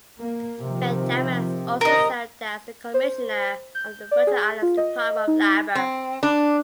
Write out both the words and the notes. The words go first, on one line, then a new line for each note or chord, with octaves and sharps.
Benjamin has also served as the commissioner of the Virgin Islands Department of Labor.
A#3
C3 D#3 F3
C3 A#4 D#5
C5
G6
D5
G#4
F4
D#5
D#4
C4
D4